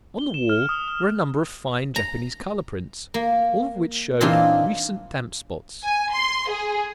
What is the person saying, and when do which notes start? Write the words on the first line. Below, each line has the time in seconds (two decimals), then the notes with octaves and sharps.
On the wall were a number of fine Japanese colour-prints, all of which showed recent damp-spots.
0.19 G7
0.34 E7
0.49 F6
0.69 D#6
0.88 D#6
1.96 A#5
3.14 A#3
4.21 A#2 E3 C4 D4 D#4 F4
5.83 G#5
6.12 C6
6.49 G#4